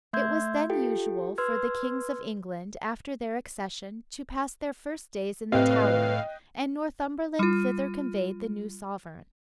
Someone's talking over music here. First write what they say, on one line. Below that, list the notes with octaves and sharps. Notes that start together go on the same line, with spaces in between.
It was then usual for the kings of England, after their accession, to pass their first days in the Tower, and Northumberland thither conveyed the new sovereign.
A3 E5 C6 E6 G6 G#6
F4 G4 A4 G5
B4 C6 E6 F6 G#6
A2 C3 B4 D#5 F5 G5 F#6
G3 F4